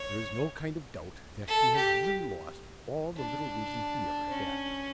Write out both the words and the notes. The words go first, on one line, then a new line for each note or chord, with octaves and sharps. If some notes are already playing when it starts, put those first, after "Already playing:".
There is no kind of doubt that he has really lost all the little reason he ever had.
Already playing: C#5
A4
G4
D4
C#4